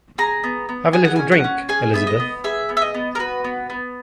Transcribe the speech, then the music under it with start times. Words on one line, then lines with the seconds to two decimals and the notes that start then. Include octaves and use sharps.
Have a little drink, Elizabeth?
0.18 G#4 A#5
0.44 B3
0.69 B3
0.93 G#4 G#5
1.05 F#5
1.16 C#4 G#5
1.32 F#5
1.44 C#4
1.69 G#4 G#5
1.94 B3 E5
2.07 D#5
2.20 B3
2.44 G#4 E5
2.69 B3
2.77 E5
2.82 D#5
2.94 B3
3.15 A#4
3.19 F#4 B4
3.44 B3
3.70 B3